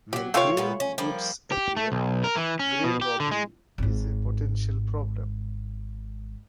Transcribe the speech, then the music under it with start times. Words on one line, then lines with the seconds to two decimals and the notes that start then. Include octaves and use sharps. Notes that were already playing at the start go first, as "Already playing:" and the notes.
Where grave goods appear, grave robbery is a potential problem.
0.13 F3 F#3 G4
0.34 C3 A3 F4 C#5 F5 G5
0.57 A#2 B3 E4
0.80 C#4
0.98 F3 G3 A#3
1.52 G4
1.77 A3
1.92 B1
2.24 A#4
2.37 E3
2.59 C#4
2.84 B2
3.02 G4
3.20 D3
3.31 G#3
3.78 G#1 G#2